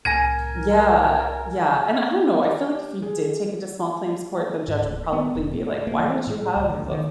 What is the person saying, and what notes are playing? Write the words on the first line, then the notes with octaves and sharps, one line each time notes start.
yeah, yeah, and I don't know, I feel like if you did take it to small claims court, the judge would probably be like, "Why did you have a f
C2 A2 A#4 G#5 G#6 A#6 D#7
G4
G#4
G#2
D1
B3
E1
A2
A#3
E3
A2
C#2
D2
D#3